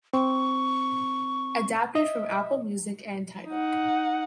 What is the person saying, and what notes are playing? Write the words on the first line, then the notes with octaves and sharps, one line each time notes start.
Adapted from Apple Music and Tidal.
C4 C#6
D#5 E5
D#4 F#5